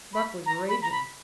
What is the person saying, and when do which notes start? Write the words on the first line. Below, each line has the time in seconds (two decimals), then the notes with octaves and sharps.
Buck was raging.
0.13 B5
0.46 A#5
0.68 B5
0.82 A#5
0.92 B5